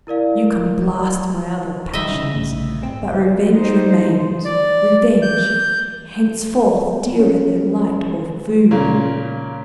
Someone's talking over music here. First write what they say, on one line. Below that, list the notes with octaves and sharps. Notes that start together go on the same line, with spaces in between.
You can blast my other passions, but revenge remains--revenge, henceforth dearer than light or food!
E4 A#4 D5 F5
D#3 D#5 E5
C2 C#3
A#1 G#2 A3
C4
D#4 C5
D5
G6
C#4
A#2 C#3